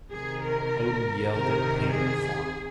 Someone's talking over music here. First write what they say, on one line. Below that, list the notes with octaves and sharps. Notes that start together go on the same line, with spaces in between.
Odin yelled in pain and fought.
C3 D#3 G#4
A#4
C3 D#3 A#4
G#4